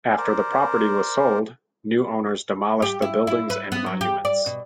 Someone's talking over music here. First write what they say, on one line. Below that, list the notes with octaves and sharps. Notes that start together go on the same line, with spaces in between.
After the property was sold, new owners demolished the buildings and monuments.
A#4 C5 D5
G4
E4
E4
B4
B3
F#3
G4
D5
B2